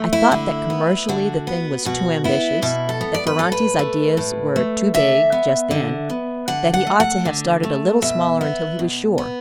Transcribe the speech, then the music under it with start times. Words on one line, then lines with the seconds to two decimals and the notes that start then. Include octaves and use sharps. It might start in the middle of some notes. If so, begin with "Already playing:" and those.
I thought that commercially the thing was too ambitious, that Ferranti's ideas were too big, just then; that he ought to have started a little smaller until he was sure.
Already playing: A3
0.13 E4
0.31 D3 E4
0.70 B3
1.09 D3 F#4
1.47 B3
1.85 B2 F#4
2.24 B3 E4
2.62 B2 E4
2.89 A4
3.01 B3
3.14 D5
3.27 B4
3.39 A2 A4
3.52 B4
3.79 A3
4.17 A2
4.56 A3
4.94 D3 E5
5.32 B3
5.71 D3
6.10 B3
6.48 D3 F#5
6.74 F#5
6.87 A3
7.00 F#5
7.25 D3
7.63 A3
8.02 B2 E5
8.41 B3
8.79 B2
9.18 B3